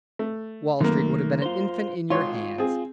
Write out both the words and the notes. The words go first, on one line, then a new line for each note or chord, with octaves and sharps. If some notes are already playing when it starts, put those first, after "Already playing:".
"Wall Street would have been an infant in your hands."
A3
F#2 D#3 A3 A#3
F4 C5
G#1 F4 C#5 C6
C4 G#4